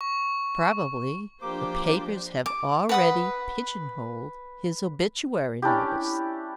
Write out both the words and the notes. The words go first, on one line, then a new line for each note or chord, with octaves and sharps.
Probably the papers have already pigeon-holed his obituary notice.
C#6
F3 A#3 D4 G4 C5 D6
D6
B4 F#5 D#6
C#4 D4 E4 G4